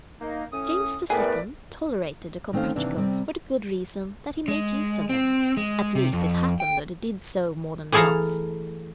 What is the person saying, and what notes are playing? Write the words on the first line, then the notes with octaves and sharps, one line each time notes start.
James II. tolerated the Comprachicos for the good reason that he made use of them; at least it happened that he did so more than once.
A#3 D#4
A2 C#4 D#6
A2 A3 B3 G4 G#4 A#4 B4 D5
D#3 A3 C4 C#4 C5 F5
D#2 C3 E3 A#3 D4
C3 G3 C4
G#3
C4
G#3
C3
F2
G5
E3 A3 G#4 A4 F5 A#5